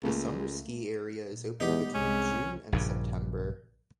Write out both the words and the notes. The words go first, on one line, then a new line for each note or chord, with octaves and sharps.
The summer ski area is open between June and September.
C#2 A3 A#3
A#2
E2 G#3 B3 D#4 G4
C2 C3 G#3 C#4
A#1 G2 C#3